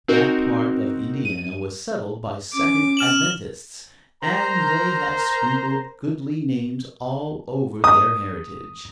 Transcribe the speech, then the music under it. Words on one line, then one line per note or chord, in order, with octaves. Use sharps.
That part of Indiana was settled by Second Adventists, and they have sprinkled goodly names all over their heritage.
C4 D#4 F#4 A#4
D#7
C#4 D6
F6 E7 F#7
A#4 C5 A#5
D#6